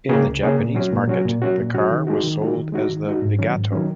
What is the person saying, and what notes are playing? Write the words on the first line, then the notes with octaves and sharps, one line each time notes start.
In the Japanese market, the car was sold as the Vigato.
C#3 A#3 C#4 G#4
C#2
C#3 A#3 C#4 G#4
A#2
F#3 C#4 F#4
A#2
F#3 C#4 F#4
A#2
F#3 C#4 F#4
A#2
F#3 C#4 F#4
D#3
G#3 D#4 F#4
D#3
G#3 D#4 F#4
D#3
G#3 D#4 F#4
D#3
G#3 D#4 F#4
G#2
D#3 F#3 C#4
G#2
D#3 F#3 C#4